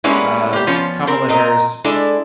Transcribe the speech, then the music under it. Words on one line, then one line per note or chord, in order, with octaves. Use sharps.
uh, Kamala Harris,
G3 G#3 A#3 B3 C#4 E4
A#3 G4
F3 B3 C#4 F4
C4 A#4
A#2 C4 A#4 D#5 A#5
G#3 D4 E4 A4